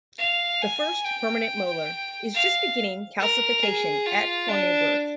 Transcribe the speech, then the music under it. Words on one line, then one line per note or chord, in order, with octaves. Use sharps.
The first permanent molar is just beginning calcification at or near birth.
F5
G#5
G5
F5
A#4
G#4
F4
D4